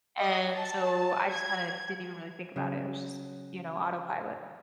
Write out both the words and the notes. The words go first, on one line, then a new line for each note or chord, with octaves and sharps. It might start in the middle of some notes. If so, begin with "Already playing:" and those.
And so I just kinda didn't even really think about it. I was just, you know, autopilot.
D#5
A5
G#6
C#3 F#3